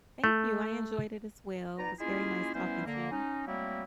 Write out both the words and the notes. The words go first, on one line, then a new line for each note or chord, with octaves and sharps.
Thank you. I enjoyed it, as well, it was very nice talking to you.
A3
B3 D#4 D5 A#5
G#3 A#3 C#4 E4 F4 G#4
E3 G3 B3 C#4 E4 C5
D3 A#3
C#4 D#4
F#3 G3 A3 A#3 C4 E4